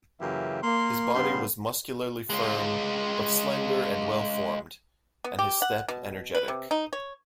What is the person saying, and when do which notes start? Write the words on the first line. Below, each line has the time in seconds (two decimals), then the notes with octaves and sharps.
His body was muscularly firm, but slender and well-formed, and his step energetic.
0.20 F#2 C#3 E3 A#3 G4 E5
0.63 A#3 C6
1.15 G2 C#3 B3 F5 C6
2.30 G#3 F4
5.24 B3
5.39 G4
5.62 F#5
5.88 B2
6.35 B4
6.48 C3
6.71 D#4
6.93 C#5